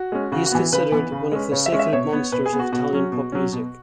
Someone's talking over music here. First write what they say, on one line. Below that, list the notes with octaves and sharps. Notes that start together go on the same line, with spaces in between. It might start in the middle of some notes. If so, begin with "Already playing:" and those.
He is considered one of the "sacred monsters" of Italian pop music.
Already playing: F#4
G#3 C#4
C#3 F#4
F#4
E3 B3
C#3 B4
E3 B3
C#3
G#3 C#4
C#3 C#5
E5
G#3 C#4
E5
B2 C#5
B3
B2 B4
G#4
B3
F#4
B2 F#4
F#3 C#4
B2
F#3 C#4
B2